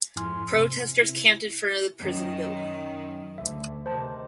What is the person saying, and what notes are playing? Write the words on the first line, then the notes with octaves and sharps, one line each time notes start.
Protesters camped in front of the prison building.
F2 G#2 E4 G#5 C6 F6
C3 C4
E4
F#2 D#3
D2 E5
C3 D#3 C5 A5